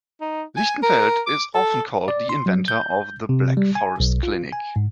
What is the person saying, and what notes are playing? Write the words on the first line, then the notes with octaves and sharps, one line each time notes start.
Lichtenfeld is often called the inventor of "The Black Forest Clinic".
D#4
G#5
A#4
D6
A4
D5
C6
F#3
G6
C3
G3
G#5
B1
F4
G#5
G#2